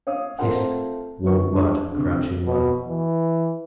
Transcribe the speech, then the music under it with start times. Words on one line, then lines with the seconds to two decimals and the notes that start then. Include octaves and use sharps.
"Hist!" warned Bud, crouching low.
0.07 C#5 F5 D#6
0.39 A3 C4 F4 A#4 C5 F#5
1.24 G1 B4 C#6
1.51 G3 G#3 D4
1.92 D2 C3
2.46 B2
2.86 E3